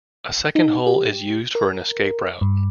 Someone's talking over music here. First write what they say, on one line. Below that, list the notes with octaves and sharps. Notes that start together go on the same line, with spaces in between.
A second hole is used for an escape route.
D#4
G4
A#4
G2